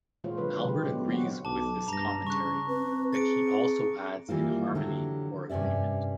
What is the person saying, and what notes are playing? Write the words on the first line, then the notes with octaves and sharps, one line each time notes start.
Albert agrees with this commentary but he also adds in harmony or agreement.
A#2 E3 G#3 F4 C5 C#5
D3 F#3 B4 C5
G#3
F#3 G4
D3 F#3 B3
E3 B3 F#4 C5 F#5
B1 A5 D6
G2 A#5 A#6
C#3 C#4 C#6 F#6
C4 B4
G#4 A6 C#7 D7
E3 G3 A#3 F4
D3 F#3 G4
G2 C3 C#4 D5 E5